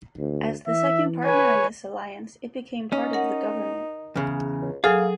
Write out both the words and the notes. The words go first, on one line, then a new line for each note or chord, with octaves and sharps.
As the second partner in this alliance it became part of the government.
D2
E3 E5
B4 C#5 G#5
C#4 D#4
A#4 F#5
E2 C#3
C#2
F#3 A#3 G#4 A4 F5